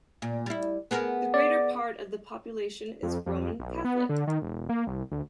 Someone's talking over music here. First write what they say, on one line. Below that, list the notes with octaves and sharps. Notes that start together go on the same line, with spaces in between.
The greater part of the population is Roman Catholic.
A#2
G3 E4
B3 G#4 A#4
D5
F2
F2
B1
B3
D3
D#3
E1
A#3
C2
D2